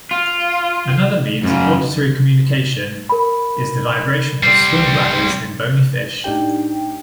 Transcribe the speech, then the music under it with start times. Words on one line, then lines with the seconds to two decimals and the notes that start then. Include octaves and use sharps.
Another means of auditory communication is the vibration of swim bladders in bony fish.
0.11 F4
1.43 F#2 C#3
3.09 A#4 B5
4.43 G3 C4 C7
6.24 A2 D4 D#4 G4 G5